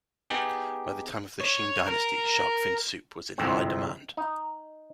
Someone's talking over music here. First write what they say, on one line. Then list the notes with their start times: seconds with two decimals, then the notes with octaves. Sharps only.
By the time of the Qing dynasty, shark fin soup was in high demand.
0.30 B3 D#4 G4 G#4
1.40 C#5
1.87 A#4
3.38 G1 C2 F2 G#2 C4
4.17 D#4